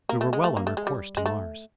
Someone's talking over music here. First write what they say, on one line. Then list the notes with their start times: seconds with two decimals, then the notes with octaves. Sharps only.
We were well on our course to Mars.
0.09 A#3
0.21 A3
0.33 G#3
0.44 A3
0.57 A#3
0.67 A3
0.77 G#3
0.87 G3
1.17 G#3
1.26 A3